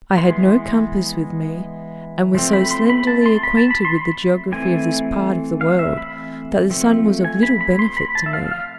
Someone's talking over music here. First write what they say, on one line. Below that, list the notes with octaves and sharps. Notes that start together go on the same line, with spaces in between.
I had no compass with me and was so slenderly acquainted with the geography of this part of the world that the sun was of little benefit to me.
E3 G#3 B3 C6
F3 A3 C4
B5
C6
B5
A5
C6
B5
A5
B5
C6
B5
E3 A3 C4 G#5
F5
E5
B5
F3 A3 C4
G#5
B5
B5
C6
B5
A5
E5
F5
F5